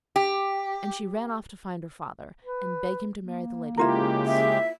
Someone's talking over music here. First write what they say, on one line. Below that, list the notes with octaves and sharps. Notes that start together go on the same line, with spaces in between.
And she ran off to find her father, and beg him to marry the lady at once.
G4
B4
A#3
C#3 G#3 E4 F4 G4 A#4
E5